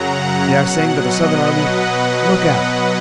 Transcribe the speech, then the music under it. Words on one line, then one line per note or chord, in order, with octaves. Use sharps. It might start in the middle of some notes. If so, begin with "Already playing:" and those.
They are saying to the Southern army: 'Look out!
Already playing: F#2 C#3 F#3 F#5 A#5
B2 F#3
D#5
B4